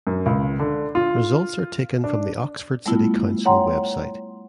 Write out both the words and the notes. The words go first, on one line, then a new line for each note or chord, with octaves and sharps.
Results are taken from the Oxford City Council website.
F#2
C#2
D3
F4
D4
G3 A3 B3 E4 F4
C#5 F#5 G5 A#5 C6